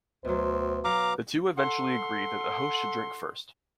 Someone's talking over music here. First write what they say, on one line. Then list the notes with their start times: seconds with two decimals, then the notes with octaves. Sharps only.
The two eventually agreed that the host should drink first.
0.25 D2 B2 F#3 C5
0.84 F#3 B3 F5 F#5 A#5 D6
1.58 A4 F#5 C6